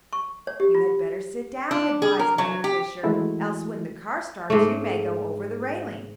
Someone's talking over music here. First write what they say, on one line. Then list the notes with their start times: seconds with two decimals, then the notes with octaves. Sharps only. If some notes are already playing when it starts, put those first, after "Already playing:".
"You had better sit down," advised Mother Fisher, "else when the car starts you may go over the railing."
0.13 C#6
0.47 C#5
0.60 G4
0.75 F4
1.71 D4
2.02 G#4
2.19 A#4
2.38 F#3
2.64 G4
3.03 E3 G#3 A3 E4 F#4
4.50 G#2 A3